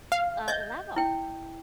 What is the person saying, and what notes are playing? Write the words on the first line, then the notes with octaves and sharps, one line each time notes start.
uh, level.
F5
D#5 E5 G6
E4 G5